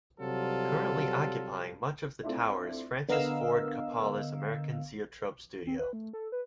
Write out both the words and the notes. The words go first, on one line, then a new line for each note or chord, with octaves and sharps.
Currently occupying much of the tower is Francis Ford Coppola's American Zoetrope studio.
C3 F#3 G3 F4 A4
A3 C4 D4 E4 F4 E5
D3 B3 A#4 D#5 F5 E6
C4
B4
A3
A4
B4